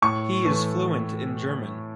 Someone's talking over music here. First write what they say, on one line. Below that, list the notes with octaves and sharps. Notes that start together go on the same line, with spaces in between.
He is fluent in German.
A2 C#6
E3 A3